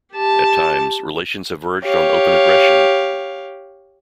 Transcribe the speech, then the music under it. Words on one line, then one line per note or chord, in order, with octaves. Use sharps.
At times, relations have verged on open aggression.
G4 A5
G4 C#5 F5